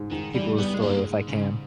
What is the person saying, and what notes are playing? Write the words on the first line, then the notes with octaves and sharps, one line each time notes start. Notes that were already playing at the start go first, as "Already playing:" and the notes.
people's story if I can.
Already playing: G#2
G#2 D#3
E3 G3
G3 B3
G#3
G#2 A#3
C#3